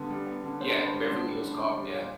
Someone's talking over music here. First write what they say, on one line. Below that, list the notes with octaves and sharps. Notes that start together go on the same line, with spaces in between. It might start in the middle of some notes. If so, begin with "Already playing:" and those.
Yeah, Beverly Hills Cop, yeah.
Already playing: D3 G3 B3
G3
B3
D3
D3 C5
D3 C5
B4
G3
C5
D3
G3
D3
D3
G3
A#2